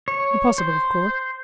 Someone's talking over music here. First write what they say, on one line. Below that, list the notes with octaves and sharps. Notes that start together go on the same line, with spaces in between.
Impossible--of course.
C#5
C5